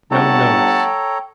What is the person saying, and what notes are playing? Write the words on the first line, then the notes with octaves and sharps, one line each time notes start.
No notice.
G1 A3 A4 C#5 F#5 G5 A5 A#5